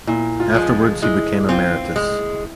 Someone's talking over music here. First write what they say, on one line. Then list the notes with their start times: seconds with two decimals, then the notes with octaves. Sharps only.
Afterwards he became emeritus.
0.07 A#2 E4
0.40 F4
0.54 F3 G#3
0.71 F4
1.02 G#3 E4
1.49 C4 F4
1.96 G#3